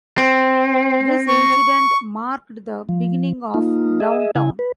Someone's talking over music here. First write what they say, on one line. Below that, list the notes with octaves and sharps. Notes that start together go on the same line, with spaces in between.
This incident marked the beginning of Downtown.
C4
C#6
F3
A#3 D#4 F4
G#4 D#5 E5
C#3 E4 G#5
B4